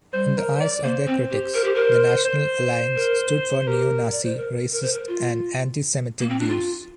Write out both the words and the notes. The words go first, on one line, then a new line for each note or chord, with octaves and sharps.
In the eyes of their critics, the "National Alliance" stood for neo-Nazi, racist and anti-Semitic views.
G3 C5
A#4
C5
D5
A#3 C5
C4
G4
A#4
G4
A#4
C5
A#4
G4 A#4
D5
C5
A#4
A#4
C5
A#4
F4
A#3
C4
D4
F4